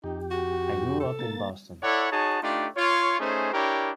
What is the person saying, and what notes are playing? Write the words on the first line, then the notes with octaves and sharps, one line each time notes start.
I grew up in Boston.
F2 D#4 G4
F#4
A4
A#3 A6
E4 A4 C#5 D5 F#5
D#4 F#4 G#4 C#5 A5
A3 D4 D#4 F4 G4
F4 C#5
A3 C#4 D#4 G#4 C5
D4 E4 G4 A#4 C#5